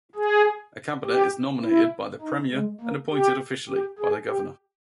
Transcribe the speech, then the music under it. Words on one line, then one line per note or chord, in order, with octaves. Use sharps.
A cabinet is nominated by the premier and appointed officially by the governor.
G#4
G4
E4
D#4
G#3
A#3
G4
G4
G#4
G4